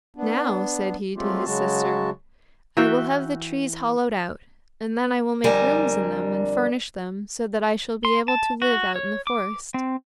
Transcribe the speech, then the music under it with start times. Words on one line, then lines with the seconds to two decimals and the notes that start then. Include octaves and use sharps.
'Now,' said he to his sister, 'I will have the trees hollowed out, and then I will make rooms in them and furnish them so that I shall be able to live out in the forest.'
0.16 B3 D4
1.16 F#3 G#3 A3 C4 F4 G4
1.45 C#3 F#3 G#3 F#4 A5
2.77 E3 F#4 E5 G5
5.44 F2 D3 G3 A#4 G#5
8.05 C6
8.28 A5
8.62 F#4
8.96 C#5
9.27 D6
9.74 C4